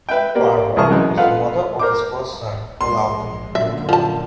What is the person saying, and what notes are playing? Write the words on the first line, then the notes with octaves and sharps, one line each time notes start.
Barbara was the mother of his first son, Olaokun.
B4 E5 G5
A#3 G4 D5
C2 E3 G#4 A#4 A5 C#6
F#2 E3 G#3
F4 A4 B4 F5 F#5
A#4 C5 D6
A#1 G#3 C6
F#2 A#2 D3 E5
F3 A5